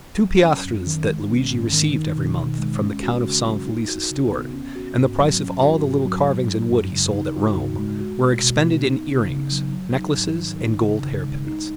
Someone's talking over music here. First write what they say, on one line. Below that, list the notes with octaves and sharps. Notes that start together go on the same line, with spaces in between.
The two piastres that Luigi received every month from the Count of San-Felice's steward, and the price of all the little carvings in wood he sold at Rome, were expended in ear-rings, necklaces, and gold hairpins.
F#3
C#4
F#2
D#3
G#3
C#4
G#2
D#3
D#4
B2
B2
G#3
C#4
F#4
C#3
F#3
D#4
F#4
C#3
B3
C#4
F#4
G#2
F#3
C#4
F#4
G#2
F#3
G#3
D#4
F#2
C#3
D#4
F#4
G#2
G#3
F#4
B2
B2
B3
D#4
C#3
C#3
F#3
F#3
D#4
G#2
D#3
D#4
C#3
C#3
G#3
D#4